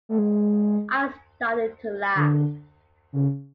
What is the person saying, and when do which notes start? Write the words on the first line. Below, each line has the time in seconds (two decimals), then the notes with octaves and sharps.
I started to laugh.
0.09 A3
0.18 G#3
2.15 D3
3.13 C#3